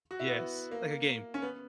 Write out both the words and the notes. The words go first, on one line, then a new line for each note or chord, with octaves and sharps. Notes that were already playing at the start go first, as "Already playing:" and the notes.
Yes, like a game.
F#4
E4
B3
A#3
C#4
B3